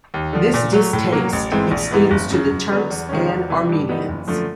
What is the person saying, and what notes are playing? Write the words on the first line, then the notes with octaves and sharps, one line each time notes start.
This distaste extends to the Turks and Armenians.
D#2
D3 F3
A#2
F#3 A3
A2
F#3 A#3
A1
G#2 E3 G#3 C4
A#1
G#2 E3 G#3 B3
F#1
F#2 C#3
F#2
D3 F#3 B3
E2
C3 D#3 G#3 C#4
E2
C3 E3 G3
G2
E3 G3 B3 D#4
F#1
F#2 D3 F3 A3